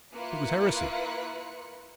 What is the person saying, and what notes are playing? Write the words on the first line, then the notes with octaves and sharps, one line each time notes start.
It was heresy.
A#3 E4 F4 B4 F#6 C#7